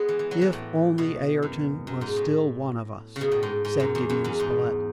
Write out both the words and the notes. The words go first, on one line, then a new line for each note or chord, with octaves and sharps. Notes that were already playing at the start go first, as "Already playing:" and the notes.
"If only Ayrton was still one of us!" said Gideon Spilett.
Already playing: G#3 B3
E3
E3
F#3
E3
A2
B2
F#2
F#2
G#2
A2
C#3
B2
A2
G#2
G#2
F#2
E2
F#2
E2
G#2